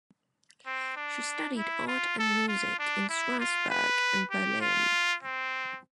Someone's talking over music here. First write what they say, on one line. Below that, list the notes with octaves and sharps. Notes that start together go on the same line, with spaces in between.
She studied art and music in Strasbourg and Berlin.
C4
D4
E4
F4
A4
F4
D4
E4
F4
B4
G4
F4
C4